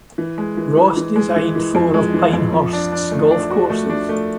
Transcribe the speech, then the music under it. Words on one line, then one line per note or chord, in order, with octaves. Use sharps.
Ross designed four of Pinehurst's golf courses.
E3
G#3
E3
E3
E3
G#3
E3
E3
F2
G#3
E3
F2
F3
D4
D4
A3
D4
F#4
A3
D4
A3